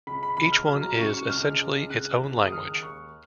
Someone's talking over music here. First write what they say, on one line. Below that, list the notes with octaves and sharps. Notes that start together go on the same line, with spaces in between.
Each one is, essentially, its own language.
C#2 B5
B5
C#2 B5
F6
F#3 F6
A#5
C#3 C#6
C#6
C#2 F6
C#3
C#2 F#6
C#2
D#6
D#3 F6
D#2 C#6